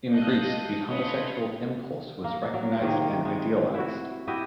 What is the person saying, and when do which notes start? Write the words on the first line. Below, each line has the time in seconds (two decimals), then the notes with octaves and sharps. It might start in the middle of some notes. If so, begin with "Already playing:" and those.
In Greece the homosexual impulse was recognized and idealized.
0.12 A4 D#5 F5 D#6 F#6 G6
0.86 C#4 F4 A4 B4 C#5 D#5
2.24 A#3
2.54 F#3 A#4
2.81 C3 D#3 A#3 G#4
3.25 G#3
3.75 E4 F#4
4.28 E4 F#4 G4 D#5